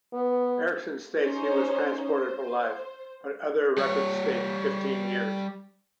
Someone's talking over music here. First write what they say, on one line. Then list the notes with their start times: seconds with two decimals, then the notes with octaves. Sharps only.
Erickson states that he was transported for life, but other records state fifteen years.
0.13 B3
1.18 C#4 D#4 C5
2.09 C5
3.78 G3 C#5